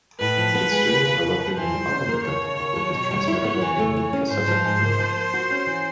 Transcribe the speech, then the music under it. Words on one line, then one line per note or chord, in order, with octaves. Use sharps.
Its studios are located in Opelika, with its transmitter located in Cusseta, Georgia.
A2 B4
F3
B3
G#3
D#2
C#3
D#2
F3
E3 C5
G3
C#4
A#3
D#2 C#5
C#3
D#2
F#3
B2
G3
E4
B3
E3
A3
E3
C#4
G#2 C5
F3
G#2
A#3
F3
A#3
F#4
C#4
E3